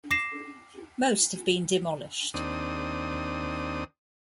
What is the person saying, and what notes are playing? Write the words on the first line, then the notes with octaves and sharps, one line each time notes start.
Most have been demolished.
D6 A#6 C7 E7
D#2 C4 D4 D#6